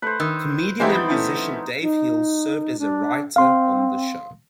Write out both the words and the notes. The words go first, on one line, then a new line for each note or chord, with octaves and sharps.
Comedian and musician Dave Hill served as a writer on the show.
A3 B4 C5
D#3 E6
E3 G#3 B3 C4 D#4 G4 C5 E5
B5 G6 A6
A3 C#4 E4
D#4
D4
C4 F5 C6